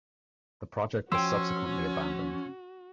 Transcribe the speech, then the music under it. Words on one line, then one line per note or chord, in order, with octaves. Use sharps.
The project was subsequently abandoned.
F3 C#4 F#4 G5 C6 E6